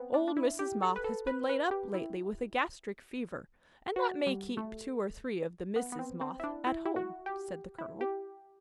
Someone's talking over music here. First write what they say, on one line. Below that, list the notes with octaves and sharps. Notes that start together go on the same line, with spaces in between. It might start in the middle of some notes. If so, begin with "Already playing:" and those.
"Old Mrs. Moth has been laid up lately with a gastric fever, and that may keep two or three of the Misses Moth at home," said the colonel.
Already playing: B3 C4
D4
D4
E4
G4
A4
B4
A4
B4
B4
G4
E4
F#4
G3
A3
B3
B3
C4
C4
E4
D4
E4
E4
F#4
G4
E4
G4